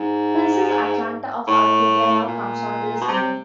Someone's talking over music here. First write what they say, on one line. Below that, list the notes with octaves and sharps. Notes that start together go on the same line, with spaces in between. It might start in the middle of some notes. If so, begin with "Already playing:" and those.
Princess Atalanta of Arcadia now comes on to the scene.
Already playing: G#2
A2
A#2
B2
C3